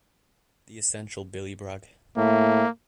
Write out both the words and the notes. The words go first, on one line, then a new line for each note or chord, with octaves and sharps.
The Essential Billy Bragg.
A2 A#3 E5